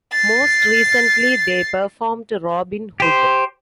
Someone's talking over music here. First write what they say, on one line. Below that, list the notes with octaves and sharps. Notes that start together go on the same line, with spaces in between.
Most recently they performed Robin Hood.
A6 C7
G4 C5